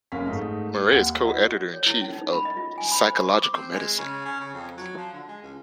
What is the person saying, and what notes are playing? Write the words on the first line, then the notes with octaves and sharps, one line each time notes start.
Murray is co-editor-in-chief of "Psychological Medicine".
F#1 C#4 A#4 F5 B6
G#2 A3 D#4
D#2 F#5
E4 F#4 D#5
C#5
E4
C#4
D#4
B5
D#5
F4
G#5
B5
C5
C#6
D6
C4
G#3
C#3
C#4
C#3
F2
F#3
F3
D3
G#3
C#2